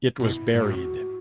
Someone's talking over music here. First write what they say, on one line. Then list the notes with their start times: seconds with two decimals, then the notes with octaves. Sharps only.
It was buried.
0.19 B2 E4
0.55 G#2
0.62 A2 F#4